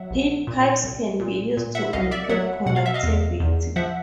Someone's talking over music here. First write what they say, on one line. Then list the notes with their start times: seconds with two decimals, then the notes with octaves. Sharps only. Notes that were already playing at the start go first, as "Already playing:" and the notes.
Heat pipes can be used to improve conductivity.
Already playing: F#3 E5 F#5
0.11 A#1
0.47 A#2
0.84 C2
1.20 A#2
1.57 A#2
1.75 E5 F#5
1.93 C2 D#5 F5
2.11 D5 E5
2.29 F#3 E5 F#5
2.66 B2 F#5
2.76 F5
2.86 E5
2.94 D#5 F5
3.03 E2
3.40 E2
3.76 F3 E5 F#5